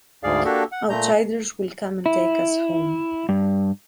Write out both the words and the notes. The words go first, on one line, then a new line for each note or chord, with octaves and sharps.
Outsiders will come and take us home.
D2 G#2 G#4 D5 F5
A#3 D4 F#4 G4 A4
F#5
A#2 A3 A#5 G6
E4
G2